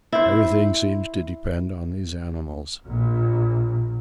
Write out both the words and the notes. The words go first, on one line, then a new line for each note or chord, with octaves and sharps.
Everything seems to depend on these animals.
E4 C5
A#1 A#2